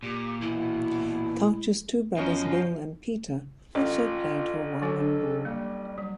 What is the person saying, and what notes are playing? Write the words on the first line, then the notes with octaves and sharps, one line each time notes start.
Couch's two brothers, Bill and Peter, also played for Warrnambool.
A#2 G4
B2 E3 E4
F#2 F3 B3 C#4 D#5
A1 F4 D#5
F#3 D4 F#4 A4
G3 A#3
F#3 G3